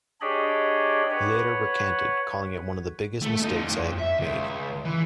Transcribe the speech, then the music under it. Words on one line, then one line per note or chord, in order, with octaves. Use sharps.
He later recanted, calling it One of the biggest mistakes I have made.
D4 G4 G#4 C#5 D#5 B5
B4 C#5 F#5
A3 A4
D#4 F4
F2
E5
C#2
E3